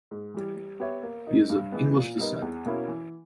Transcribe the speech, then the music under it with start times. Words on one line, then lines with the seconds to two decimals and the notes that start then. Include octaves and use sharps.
He is of English descent.
0.11 G#2
0.34 E3 G3
0.56 G3
0.80 B3 G4 C#5 E5
1.03 A#3
1.27 D#4 A#4
1.50 G2
1.72 E3 G#3 B3
1.96 A#2
2.19 G3 B3 D#4 A#4
2.42 E2
2.65 B2 A#3 C#4 E4
2.88 E3